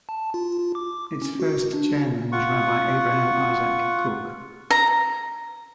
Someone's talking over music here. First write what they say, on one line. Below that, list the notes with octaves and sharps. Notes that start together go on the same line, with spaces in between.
Its first chairman was Rabbi Abraham Isaac Kook.
A5
F4
F4
D6
C#4
F#4
D4
F4 F#5 C#6
A#5